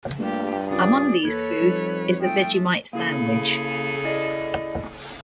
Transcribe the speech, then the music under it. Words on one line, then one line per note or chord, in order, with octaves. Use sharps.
Among these foods is a Vegemite sandwich.
G2 G3 A3 A#3 F4 G4
C#2 C#4 F4 G#4 D5
E2 A#3 A4 B4 C#5 G#6
F2 F3 G3 D#4
G#3 A3 G5
C#3 A#3 E4 G#4 A4
E4 D5 D#5